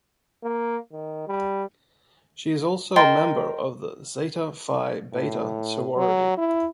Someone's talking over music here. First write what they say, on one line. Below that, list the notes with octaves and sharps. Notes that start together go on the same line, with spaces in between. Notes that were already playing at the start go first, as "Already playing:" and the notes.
She is also a member of the Zeta Phi Beta Sorority.
A#3
D#3
G3
A#4 D#5 G5 A#5 C6
A2
F#3
E4